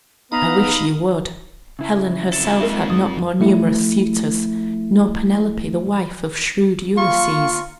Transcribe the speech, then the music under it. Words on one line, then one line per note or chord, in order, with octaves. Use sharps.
I wish you would. Helen herself had not more numerous suitors, nor Penelope, the wife of shrewd Ulysses.
B3 D#4 D#5 F5 A#5 B5
C#3 E4
F2 A4
G#3 A#3 D#4 A#4 E5
D#6
F3 A3 E4
A#3 F4 C#6